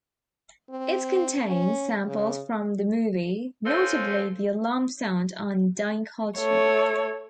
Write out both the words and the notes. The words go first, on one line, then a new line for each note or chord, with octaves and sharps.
It contains samples from the movie, notably the alarm sound on "Dying culture".
C4
C#4
C#3
C4 C#4 F4 A4 C5
A3 C#5